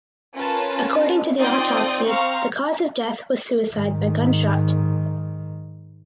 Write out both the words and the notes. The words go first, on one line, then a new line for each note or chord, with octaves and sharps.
According to the autopsy the cause of death was suicide by gunshot.
C#4 F4 A#4 B4 A5
C4 D#4 F4 D5 D#6 G6
C4 C5 F5 A#5 C#6 F6
G#2 D#3